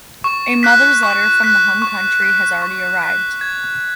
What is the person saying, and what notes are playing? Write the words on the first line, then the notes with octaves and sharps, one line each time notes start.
A mother’s letter from the home country has already arrived.
C#6
F#6 B6
C#6
F#6 B6
C#6
F#6 B6
C#6
F#6 B6
G#6